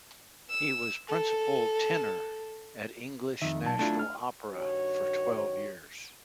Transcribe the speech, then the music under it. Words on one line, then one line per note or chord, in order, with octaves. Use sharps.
He was principal tenor at English National Opera for twelve years.
E6
A4
F2 D#3 E5
B1 A5
A3 D4 E4 F4 A5
F6
G2 D#3 F#4 C#5